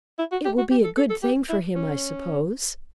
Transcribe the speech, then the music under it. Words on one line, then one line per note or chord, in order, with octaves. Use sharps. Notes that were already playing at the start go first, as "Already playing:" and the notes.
"It will be a good thing for him, I suppose."
E4
F#4
G4
F#4
G4
A4
A4
A4
G4
E4
C#4